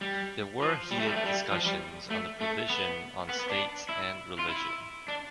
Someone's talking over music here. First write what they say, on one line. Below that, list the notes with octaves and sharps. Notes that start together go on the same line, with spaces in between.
There were heated discussions on the provision on state and religion.
G3
F3
G3
A3
G3
A3
G3
F3
G3
A3
A3
B3
B3
B3
D4
E4
F4
E4
D4